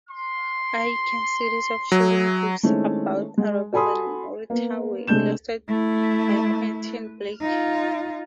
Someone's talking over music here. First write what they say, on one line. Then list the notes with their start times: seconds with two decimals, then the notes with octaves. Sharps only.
Aiken's series of children's books about Arabel and Mortimer were illustrated by Quentin Blake.
0.11 C6
1.92 F#3 G#4 E5
2.63 D#3 G#3 A3 C4 C#4 E4
3.38 G#3
3.73 F#4 A4 G#5 B5 C6 D#6
4.50 A#3 B3
5.07 C3 G#3 A3 D4 G6 E7
5.68 A3 E4
7.41 D#4 F4